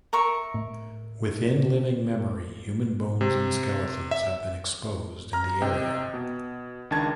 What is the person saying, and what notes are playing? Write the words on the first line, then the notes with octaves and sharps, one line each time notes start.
Within living memory human bones and skeletons have been exposed in the area.
A#4 E5 C#6
A2
C3
E5
A#5 F6
C3 D#5 G5
B2
C#2 D#3 D4 A5 G#6